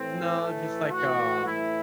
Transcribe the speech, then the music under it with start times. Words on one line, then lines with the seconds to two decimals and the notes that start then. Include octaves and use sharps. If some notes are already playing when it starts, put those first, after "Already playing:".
No, just like, um,
Already playing: A2 E3 C4
0.39 A3
0.92 A2 E3 F#4
1.46 E4